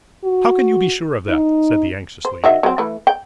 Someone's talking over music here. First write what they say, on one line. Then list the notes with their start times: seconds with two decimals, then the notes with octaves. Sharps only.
"How can you be sure of that?" said the anxious lady.
0.24 F#4
1.29 D#4
2.25 C5
2.44 D#3 F#4 E5
2.63 F#3 C4
2.78 E3 A3 B4
3.07 G5